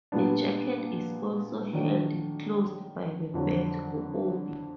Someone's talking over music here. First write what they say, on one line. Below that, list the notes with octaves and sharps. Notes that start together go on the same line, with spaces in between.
The jacket is also held closed by the belt or obi.
A#2 G3 B3 D4
D#3 F#3 A3 D4
F2 D3 F#3